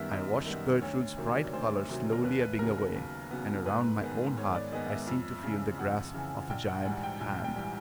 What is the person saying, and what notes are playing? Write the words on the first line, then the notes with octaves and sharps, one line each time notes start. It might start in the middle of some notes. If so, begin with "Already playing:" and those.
I watched Gertrude's bright color slowly ebbing away, and around my own heart I seemed to feel the grasp of a giant hand.
Already playing: F#2 D#3 G3 B3 E5
F#2 D#5
D#3 G3 B3
D2 C#5
C3 D#3 F#3
D5
C#5
D2 C5
C3 D#3 F#3
A#4
D#2 B4
B4
C#3 F#3 B3 A#4
A#4
D#2
C#3 F#3 B3
G#2 B4
D#3 G#3 B3
G#2 C#5
D5
D#3 G#3 B3 D#5
E5
F2
C#3 E3
F2 F#5
C#3 E3
A#1 G5
F#5
G#2 E3 G3 F#5
G5
A#1 G#5
G5
E3 G3